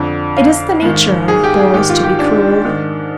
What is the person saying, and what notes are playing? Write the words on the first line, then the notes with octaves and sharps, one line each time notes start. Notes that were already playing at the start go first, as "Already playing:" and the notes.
It is the nature of boys to be cruel.
Already playing: F2 D3
F5
G#2 D#3
G#4
G4
G#4
G#2 D#3 G4
F4
G4
D4
G#2 D#3